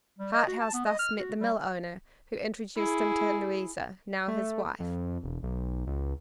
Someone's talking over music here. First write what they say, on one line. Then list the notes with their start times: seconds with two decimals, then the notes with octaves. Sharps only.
Harthouse thus met the mill owner, who introduced him to Louisa, now his wife.
0.19 G3
0.33 D#5
0.47 F#4
0.60 A5
0.73 B3
0.85 D#5
0.99 F6
1.19 F#4
1.40 G3
2.76 E4 G#4
4.28 A3
4.80 F2
5.23 E1
5.43 B1
5.87 C#2